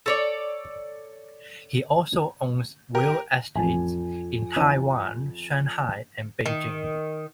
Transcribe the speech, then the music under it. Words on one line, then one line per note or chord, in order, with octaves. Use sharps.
He also owns real estates in Taiwan, Shanghai, and Beijing.
A4 C#5 D5
G4 A#4
A1 F2 G#5 A5
E3 C#4 D#4
D#3